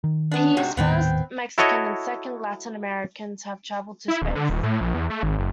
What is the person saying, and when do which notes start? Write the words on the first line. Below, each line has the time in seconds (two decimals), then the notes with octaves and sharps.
He is the first Mexican, and the second Latin-American to have traveled to space.
0.04 D#3
0.32 B3 D4
0.57 G#2 C3 F#4
0.77 D#1 A2 D#3 B3 C4 G5
1.58 E4 F#4 A4 C#5 D#5
4.08 E4
4.22 D1
4.35 D3
4.49 D#1
4.63 A2
4.81 A#1
4.94 E2
5.10 A3
5.23 G#1
5.38 F#1